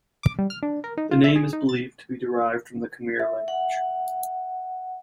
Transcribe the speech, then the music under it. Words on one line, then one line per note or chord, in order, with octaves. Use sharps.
The name is believed to be derived from the Khmer language.
D6
G3
F6
D4
A#4
D#4
F4
E5
G#4
D#4
A6
E5
F#5